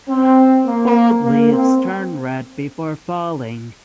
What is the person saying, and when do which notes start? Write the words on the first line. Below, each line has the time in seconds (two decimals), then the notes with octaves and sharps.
Old leaves turn red before falling.
0.09 C4
0.66 A#3
1.23 A#3
1.51 C4